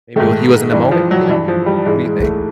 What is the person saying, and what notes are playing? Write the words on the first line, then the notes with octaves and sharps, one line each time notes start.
Maybe Well he was in the moment, you know? But, what do you think?
G#2 D#3 A3
G2 E3
F3
F#3
G2 E3
F3
G3
G#2 E3 G#3
G#3
A3